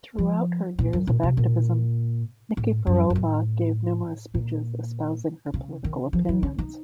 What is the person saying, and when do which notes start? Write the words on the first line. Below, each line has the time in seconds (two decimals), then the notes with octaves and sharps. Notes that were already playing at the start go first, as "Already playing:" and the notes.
Throughout her years of activism, Nikiforova gave numerous speeches espousing her political opinions.
0.18 F3
0.79 A#2
0.93 F#2
1.07 A#2
1.23 C3
1.37 A#2
2.57 A2
2.87 F#2
3.10 F#2
3.15 A2
4.34 A#2
5.54 C#3
5.84 D#3
6.13 F3
6.29 F#3
6.43 C#4
6.58 D#4